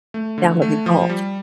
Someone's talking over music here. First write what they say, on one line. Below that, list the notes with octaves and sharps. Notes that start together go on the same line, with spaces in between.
down to the Gulf
A3
D3
A3
F3
G3